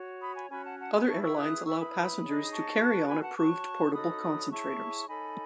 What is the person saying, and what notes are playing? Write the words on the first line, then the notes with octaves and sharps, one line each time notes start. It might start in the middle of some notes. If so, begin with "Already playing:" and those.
Other airlines allow passengers to carry on approved portable concentrators.
Already playing: F#4 C#5
B5 D#6
G#5 B5
C#4 F#4 C#5 G#5 B5
F#5 A5
F#5 A5
G#5 B5
E4 G#4 B4 A5 C#6
C#6 E6
D#6 F#6
E4 B4 C#6 E6
B5 D#6
D#4 G#4 C#5
D#6
A5 C#6
F#4 B4
G#5 B5
F#5 A5
F#4 C#5 A5 C#6
D#4 F#4 A4 C#5 B5 D#6
E4 G#4 C#5 A5 C#6
D#4 A4 C#5 G#5 B5